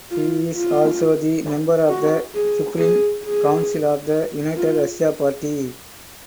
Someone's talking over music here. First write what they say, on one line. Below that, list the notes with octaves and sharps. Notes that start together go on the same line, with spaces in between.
He is also the member of the Supreme Council of the United Russia party.
F4
F4
F#4
G#4
G#4
G#4
F4